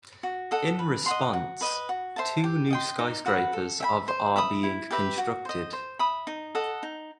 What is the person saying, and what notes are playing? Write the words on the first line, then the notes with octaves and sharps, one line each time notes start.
In response, two new skyscrapers of are being constructed.
F#4
A4 D#5 F#5
B4
D#5 F#5 C6
F#4
B4 D#5
F#4
C5 E5 A5
G4
D#5 G5 C6
D#4
F#4 B4 F#5
A4
E5 G5 B5
C5
E5 B5 D#6
E4
G4 B4 E5
F#4
C5 D#5
C5
E5 B5 D#6
D#4
A4 D#5 F#5
D#4